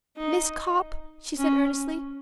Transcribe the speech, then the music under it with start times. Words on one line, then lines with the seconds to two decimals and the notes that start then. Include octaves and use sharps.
"Miss Copp," she said earnestly.
0.17 D#4
1.38 C#4